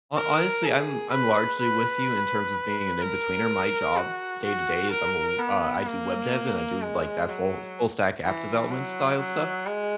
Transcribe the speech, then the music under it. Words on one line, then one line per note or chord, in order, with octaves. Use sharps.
Ho honestly, I'm I'm largely with you in terms of being an inbetweener. My job, day-to-day, is I'm a w uh, I do web dev, and I do, like, that full full stack app development style stuff.
A#4
G#4
B4
B4
A#4
F#4
F#4
A#4
B3
A#3
G#3
F#3
E3
F#3
F#3
G#3